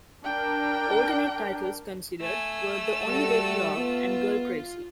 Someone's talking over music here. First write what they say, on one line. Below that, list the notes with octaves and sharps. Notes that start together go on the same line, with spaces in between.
Alternate titles considered were "The Only Way to Love" and "Girl Crazy".
D4 A#4 G5
A3 G#5 E6
G3 F#4 A4
B3 F4